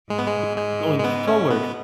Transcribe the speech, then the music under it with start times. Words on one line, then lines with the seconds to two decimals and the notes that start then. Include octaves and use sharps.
but going forward,
0.10 G#2 G#3
0.19 B3
0.27 G#3
0.57 G#3
0.99 G#3
1.04 B3
1.28 C#4
1.50 B3